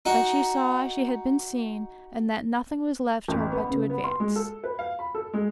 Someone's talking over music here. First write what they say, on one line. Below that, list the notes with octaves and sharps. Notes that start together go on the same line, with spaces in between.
But she saw she had been seen and that nothing was left her but to advance.
D#4 F#4
A1
B3
C#3
B3
C6
G#3
A4
B4
F5
B5
A4
G#3